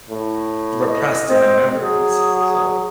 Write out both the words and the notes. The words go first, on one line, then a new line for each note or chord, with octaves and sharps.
repressed in my memories. So,
A2
D#5
C4
F#3 G#4